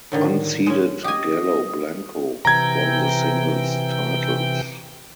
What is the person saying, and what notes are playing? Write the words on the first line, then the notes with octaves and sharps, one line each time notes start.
Unseeded Galo Blanco won the singles titles.
A2 D3 D#3
G#3 C#4
G4 D#5 G#5
C3 E3 G5 A#5 G#6